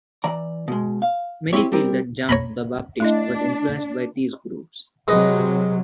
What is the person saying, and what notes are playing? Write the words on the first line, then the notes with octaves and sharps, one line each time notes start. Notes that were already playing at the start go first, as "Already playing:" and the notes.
Many feel that John the Baptist was influenced by these groups.
E3 D5 A#5
B2 G#3
F5
C4 E4 G4 C#5
G3 C4 G4 A#4
C#5 A#5 B5
A3 D4 E4 D#5
C3 F#3 G#3 B4 D#5